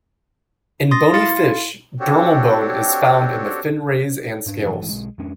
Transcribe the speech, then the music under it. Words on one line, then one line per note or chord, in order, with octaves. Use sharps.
In bony fish, dermal bone is found in the fin rays and scales.
C6 D#6 A6 A#6
E4 F5 C6 A6 C#7
C4 D4 F#4 G4 A4 C#5
G#2 D4
F#1 G#2 E3 F3
A1 G#2 E3
B1 G#3
F2 G#3 C#4 D4